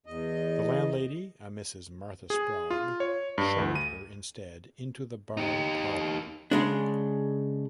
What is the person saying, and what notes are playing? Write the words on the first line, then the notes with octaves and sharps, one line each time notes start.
The landlady, a Mrs Martha Sprague, showed her instead into the bar parlour.
E2 D#5
G#4
F4
C#5
G2
D2
D#7
D#4 G4
C#3 G#3 D4